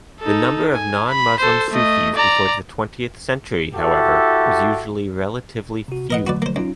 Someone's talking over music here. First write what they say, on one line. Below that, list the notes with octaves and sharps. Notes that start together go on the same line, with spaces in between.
The number of non-Muslim Sufis before the twentieth century, however, was usually relatively few.
D#4 A4
G#5
B5
A4 C5
A3 D#5
D5 A#5
E4 F#4 G4 A4 E5
C3 F#4
A#4 B4 D#5 F#5
D3 F#3 A3 F#4 B4 D5
A#3 C5
F#2 C#4 D#4 F4